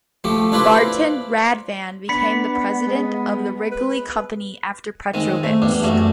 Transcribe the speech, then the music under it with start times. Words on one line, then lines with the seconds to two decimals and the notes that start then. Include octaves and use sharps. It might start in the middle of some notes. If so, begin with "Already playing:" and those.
Martin Radvan became the president of the Wrigley Company after Petrovich.
0.24 F3 A3 G4
0.52 D4 E4 F4 B4 C5 D5
2.09 B3 D4 B5 B6 C#7
2.86 G#3
3.71 B4
5.14 D#3 G#3 C4
5.43 A3
5.62 E2 G3 D4
5.83 F#2 F#3 G3 A3